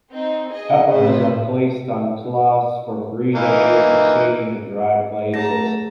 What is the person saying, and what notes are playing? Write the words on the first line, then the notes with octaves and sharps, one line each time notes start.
Peppers are placed on cloths for three days in shady and dry places.
C4 D#4
G#4 D#5
A2 C3 B4 C5
E3 A#3 D#4
A3 G#4 C#5 F#5 A5 A#5 A#6